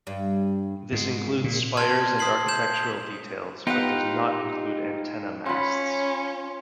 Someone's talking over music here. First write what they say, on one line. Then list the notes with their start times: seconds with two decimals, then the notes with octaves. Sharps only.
This includes spires and architectural details but does not include antenna masts.
0.07 G2
0.92 G#2
1.44 A#2
1.77 A5 C6 F6 G#6
2.19 C6 D#6 B6 C7 F#7
2.48 G6 E7 F#7
3.67 B3 D#4 F4 G4 B4 F#5
5.46 C#4 F4 B5